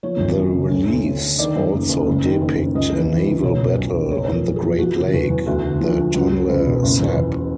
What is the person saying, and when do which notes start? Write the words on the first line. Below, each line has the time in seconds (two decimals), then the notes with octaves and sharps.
The reliefs also depict a naval battle on the great lake, the Tonle Sap.
0.03 F3 C#5
0.20 G#1
0.37 F#2
0.53 C#3
0.70 D2
0.87 D2
1.05 D2
1.22 D3
1.39 D#3 D5
1.56 F#2
1.72 F#1
1.89 F#1
2.06 F#1
2.24 D#3
2.41 F#1
2.58 F#1
2.75 C#2 D#5
2.92 E3
3.09 E3
3.26 C#2
3.43 B2 C#5
3.59 B2
3.76 B1
3.94 B2
4.11 F#1 C#5
4.28 F3
4.34 A#4
4.45 F#2
4.56 G#4
4.62 F3
4.79 E3 F#4
4.96 C#3
5.13 E2
5.30 E2
5.46 D2 F#4
5.63 D3
5.81 F3
5.98 D3
6.14 C#2
6.32 C#2
6.49 C#2
6.66 B2
6.83 F#1
7.00 E2
7.17 E2